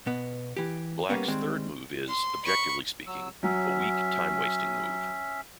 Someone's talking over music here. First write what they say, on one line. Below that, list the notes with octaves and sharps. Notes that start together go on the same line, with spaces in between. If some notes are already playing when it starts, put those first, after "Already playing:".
Black's third move is, objectively speaking, a weak, time-wasting move.
B2 B3
E3 G4
G3 A#3 B3 C#4
D#3 G3 G#3 C4
C6
B5 C#6
F#3 E6
F#3 C#4 E5